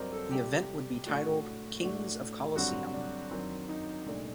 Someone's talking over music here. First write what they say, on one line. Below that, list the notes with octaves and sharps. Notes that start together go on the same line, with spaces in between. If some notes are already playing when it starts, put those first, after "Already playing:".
The event would be titled "Kings of Colosseum".
Already playing: G2 F#3 C4 A#4 C5 D5 D#5
A4
C3 G3 C4 G4
A2 A3 D4 F#4
A2 A3 D4 F#4
G2 D3 F#3 C4 F#4
D4
F#2 D#3 F#3 C4
D#4
C2 A#2 A3 D4